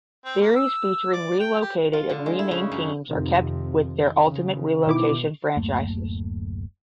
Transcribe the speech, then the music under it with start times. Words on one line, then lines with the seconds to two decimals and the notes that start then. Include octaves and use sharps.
Series featuring relocated and renamed teams are kept with their ultimate relocation franchises.
0.25 C4
0.41 A#3
0.55 E6
1.13 D5
1.39 G5
1.61 G4
1.93 F4
2.09 D3
2.26 G#3
2.39 E4
2.51 C#3
2.72 F#2
3.11 F2 C3 D#3
4.25 C#3
4.87 B2 D#3 E4 D6
5.56 D1 F#2 A3 A#3